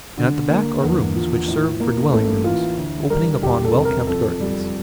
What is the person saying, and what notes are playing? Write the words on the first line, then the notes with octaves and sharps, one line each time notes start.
And at the back are rooms, which serve for dwelling rooms, opening upon well-kept gardens.
D3
A#3
E2
F3
A2
A#3
A1 A3
E3 F4
D2
G3 A#4
E1 G4
A4
C3
A#4
F2 A4
G3